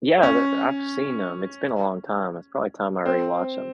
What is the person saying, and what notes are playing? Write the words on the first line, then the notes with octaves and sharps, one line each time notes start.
Yeah, the the I've seen 'em. It's been a long time. It's probably time I rewatched 'em.
C#4
C4